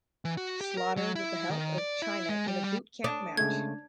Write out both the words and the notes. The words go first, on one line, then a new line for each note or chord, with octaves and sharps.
Slaughter with the help of Chyna in a Boot Camp match.
E3
F#4
G4
A#4
F#3
E4
D#3
D5
E4
G#3
G3
G3
D4 D#6
C#3 G#3 A3 G#6